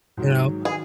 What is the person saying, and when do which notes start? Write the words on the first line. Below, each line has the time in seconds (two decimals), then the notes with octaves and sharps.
You know?
0.17 G#2 D#3 F#3
0.65 D#3 F#3 G#4